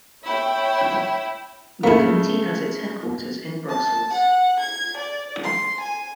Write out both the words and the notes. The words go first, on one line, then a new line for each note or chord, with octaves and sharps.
The Committee has its headquarters in Brussels.
E4 C#5 G5
C#3 A3 A#3 E4
A5
F#5
G#6
D5
C6
G#5